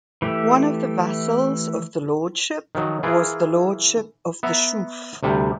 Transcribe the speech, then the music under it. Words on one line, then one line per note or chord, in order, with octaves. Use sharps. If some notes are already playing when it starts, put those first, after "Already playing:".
One of the vassals of the lordship was the Lordship of the Shuf.
E3 A3 G4
D#3 F3 F#3
E3 F4 G#4 A#4
B3 E5 A#5
D2 C3 G3